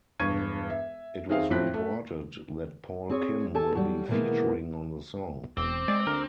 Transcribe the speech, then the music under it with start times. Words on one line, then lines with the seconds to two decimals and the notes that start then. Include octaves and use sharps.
It was reported that Paul Kim will be featuring on the song.
0.19 E1 G2 C#6 G#6 D#7
0.70 E5
1.29 D#3 C4 G#4 E5 F5
1.50 F2 A2 F3 C4 F#6 B6
1.74 A3
3.09 C4 G#4 C#5
3.54 G4 A4 G#5 A5
3.75 F#3 G3
4.08 B2 D#3 E3 G#3 A#3 B3
5.57 E1 C4 D6
5.88 G#3 D5
6.07 D2 A#4